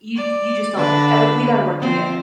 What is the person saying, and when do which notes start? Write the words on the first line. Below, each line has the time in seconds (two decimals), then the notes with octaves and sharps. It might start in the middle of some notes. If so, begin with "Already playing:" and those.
you d you just don't ever we gotta work together.
0.16 D5
0.75 D3 D4 B4
1.80 F3 C4